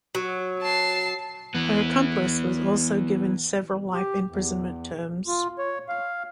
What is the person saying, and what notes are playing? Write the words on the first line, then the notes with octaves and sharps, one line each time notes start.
Her accomplice was also given several life imprisonment terms.
F#3
A5 C7
E3 B3
G4
E2
F4
C#5
F5